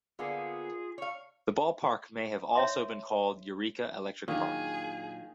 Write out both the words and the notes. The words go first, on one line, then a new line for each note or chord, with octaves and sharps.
The ballpark may have also been called Eureka Electric Park.
D3 A#3 B3 F4 G#4
C#5 F5 C#6
C#5 E5 C6
A#2 D#3 F#3 D4 G#4 F5